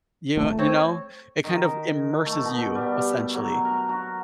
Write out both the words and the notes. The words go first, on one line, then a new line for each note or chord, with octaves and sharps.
Y you know? It kind of immerses you, essentially.
A3
C4 C#5
D#3
A3
B2
G3
F#3
A#4
F#4